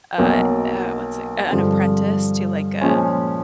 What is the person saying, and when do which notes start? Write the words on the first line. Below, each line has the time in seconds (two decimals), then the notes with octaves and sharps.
Uh uh, what's it a an apprentice to, like, a
0.18 B1 B2 F#3 A#3
1.50 G2 D3 F3 G#3 C4
2.81 A#2 F3 G#3 C#4